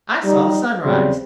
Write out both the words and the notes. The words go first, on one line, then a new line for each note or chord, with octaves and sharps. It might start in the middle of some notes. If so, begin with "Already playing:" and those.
I saw the sun rise.
G3 D#4
E2 C#3 F#3 G3 C4 C5